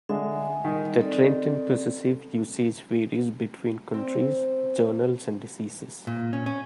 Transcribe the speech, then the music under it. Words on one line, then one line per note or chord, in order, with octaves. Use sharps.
The trend in possessive usage varies between countries, journals, and diseases.
D3 G#3 E5 G#5
D#3 G3 D#5
C4 A4 D5
C4
A#2
C#4
C#4